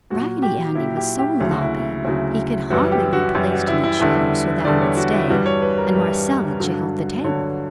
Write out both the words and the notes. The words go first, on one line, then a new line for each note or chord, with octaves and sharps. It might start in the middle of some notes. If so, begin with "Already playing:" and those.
Raggedy Andy was so loppy he could hardly be placed in a chair so that he would stay, and Marcella jiggled the table.
A#2 F#3 F#4
G4
A#2 F#3 E4
G4
G4
D2 C#3 F#3 E4
F#4
E4
D2 C#3 F#3 E4
F#2 E3 G3 F#4
G4
F#4
F#2 E3 G3 F#4
F#4
E4
E4
E2 D3 G3 E4
E2 D3 G3 D5
C#5
F#4
E4
G2 E3 G3 F#4
C#5
B4
A#4
G2 E3 G3
G2 D3 F#3
G2 D3 F#3 C#5